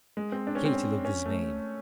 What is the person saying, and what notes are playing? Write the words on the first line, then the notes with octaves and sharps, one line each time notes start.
Katy looked dismayed.
G#3
C4
D4
C#4
C4
C#4
C#4
A3